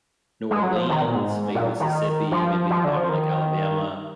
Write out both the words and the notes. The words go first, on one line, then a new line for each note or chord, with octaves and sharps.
New Orleans, maybe Mississippi, maybe the bottom of like Alabama.
G#3
F#3
F3
D#3
A#2
G#2
A#2
D#3
F3
F3
D3
F3
D#3